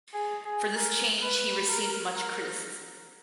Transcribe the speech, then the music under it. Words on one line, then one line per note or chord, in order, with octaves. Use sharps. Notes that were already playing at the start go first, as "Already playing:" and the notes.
For this change he received much criticism.
G#4
G#4
A#4
B4
A#4
A#4